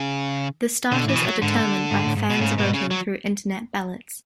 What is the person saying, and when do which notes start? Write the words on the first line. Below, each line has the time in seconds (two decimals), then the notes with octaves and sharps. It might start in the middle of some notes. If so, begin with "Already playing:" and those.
The starters are determined by fans voting through internet ballots.
Already playing: C#3
0.92 B2 D3
1.04 A2 E3
1.15 B2
1.25 F#3
1.42 G#2 D3
1.91 G#2
2.06 A2
2.16 G#2
2.30 B2
2.41 G#2 C#3
2.58 B2
2.74 C#3
2.91 F#3